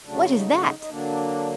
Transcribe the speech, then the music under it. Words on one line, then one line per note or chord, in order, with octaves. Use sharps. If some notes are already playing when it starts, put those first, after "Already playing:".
"What is that?"
C#3 F#3 A3 D4
D#4
D#4
D#4
D3 F#3 A#3 D4